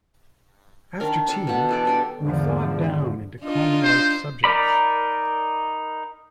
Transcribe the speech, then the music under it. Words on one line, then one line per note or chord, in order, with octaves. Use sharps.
After tea we thawed down into common-life subjects.
D#3 D4 A#4
D4 A4
B2 F#5
E3 A4 D5
G3 D4 G4
G#1 E2 D3 F3
D4 D#4 F4
C5
D#4 A#4 D5 B5